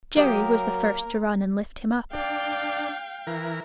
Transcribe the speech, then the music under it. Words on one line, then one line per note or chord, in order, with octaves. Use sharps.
Jerry was the first to run and lift him up.
F#3 A#3 G4 A#4 G5 D#6
D4 F5 G5
E3 A#4